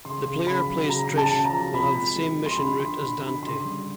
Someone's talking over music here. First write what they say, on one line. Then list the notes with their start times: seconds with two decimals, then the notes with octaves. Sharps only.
The player plays Trish will have a same mission route as Dante.
0.05 C#3 C6
0.26 C#3
0.46 C#3 B5
0.68 F#3
0.89 C#3 A#5
1.10 C#3
1.18 A5
1.31 C#3
1.45 A#5
1.52 F3
1.73 C3 B5
1.96 G#3
2.16 G#3
2.37 F3
2.46 C6
2.58 D3 B5
2.79 D3 C6
3.00 D3 B5
3.21 D3 B5
3.43 C#3 C6
3.64 G3